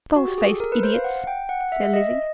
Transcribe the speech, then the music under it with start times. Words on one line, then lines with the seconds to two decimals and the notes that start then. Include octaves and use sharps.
"False-faced idiots!" said Lizzie.
0.16 F#4
0.28 G4
0.38 G#4
0.50 A4
0.60 A#4
0.72 B4
0.83 C5
0.94 F5
1.04 F#5
1.27 G5
1.49 F#5
1.61 F#5
1.72 E5
1.83 E5
1.93 D#5